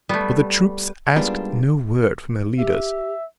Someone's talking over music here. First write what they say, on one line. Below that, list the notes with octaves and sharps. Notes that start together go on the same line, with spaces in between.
But the troops asked no word from their leaders.
G3 A3 B3
G#2 G3 A#3 B3 D4 F4
G4 E5